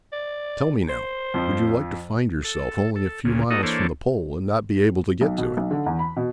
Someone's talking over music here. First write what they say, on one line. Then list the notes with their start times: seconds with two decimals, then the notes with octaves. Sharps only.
"Tell me, now, would you like to find yourself only a few miles from the pole and not be able to get to it?"
0.13 D5
0.90 C5
1.34 F2 F3
2.44 A4
2.96 A4
3.25 D2 A#2 C#3
3.50 A#3 D#4 F#4 A4 D#5
3.63 E3 A#3 D4 A4 C5 C#5
5.21 B1
5.38 B2
5.57 B1
5.71 D3
5.86 E2
5.99 B5
6.16 B2